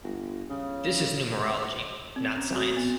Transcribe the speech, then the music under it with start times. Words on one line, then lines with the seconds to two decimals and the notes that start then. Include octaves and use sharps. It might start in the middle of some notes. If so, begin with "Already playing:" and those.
This is numerology, not science.
0.03 G1
0.50 C#3
2.16 C4
2.37 C#4
2.55 F#4
2.76 B3